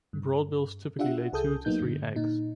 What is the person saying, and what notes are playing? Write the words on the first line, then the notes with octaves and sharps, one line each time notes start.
Broadbills typically lay two to three eggs.
G2
D4 F4 G4 E5 F#5
C2 G#4 A4 D#6 G6
F#3 A#3 B3 D#4 G6
G2 D3
A#2 D#4